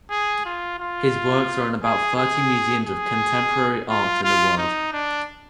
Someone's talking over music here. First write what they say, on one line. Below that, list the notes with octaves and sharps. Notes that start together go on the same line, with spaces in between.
His works are in about thirty museums of contemporary art in the world.
G#4
F4
F4
G#4
G#4
G#4
F4
F4
D#4
D4